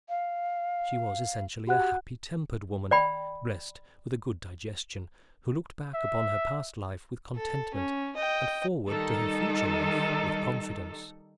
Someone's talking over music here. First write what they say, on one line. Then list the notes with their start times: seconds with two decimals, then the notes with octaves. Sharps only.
She was essentially a happy-tempered woman, blessed with a good digestion, who looked back upon her past life with contentment, and forward to her future life with confidence.
0.09 F5
1.67 F#4 G4 F#5 F#6
2.91 D5 G5 B5
5.94 E5
7.36 A4
7.74 C#4
8.17 D#5 G5
8.88 D#3 G3 D#4 A4